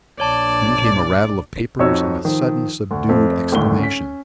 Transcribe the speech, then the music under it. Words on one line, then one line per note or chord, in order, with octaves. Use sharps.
Then came a rattle of papers and a sudden subdued exclamation.
A#1 D4 C#5 D5 A5
F2 D#4 F#4 C#5 E6
D#3 F3
D2
F2 F3 A3
G#1 D2 A2 A3 G7
C#4 B6